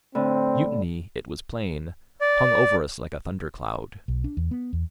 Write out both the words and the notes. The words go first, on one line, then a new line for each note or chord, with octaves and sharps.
Mutiny, it was plain, hung over us like a thunder-cloud.
A2 D3 C4
D5
B1
D4
E2
B3
E2